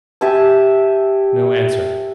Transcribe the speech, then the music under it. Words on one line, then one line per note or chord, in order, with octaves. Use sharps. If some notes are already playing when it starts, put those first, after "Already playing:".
No answer.
G4 E5 G#5 A5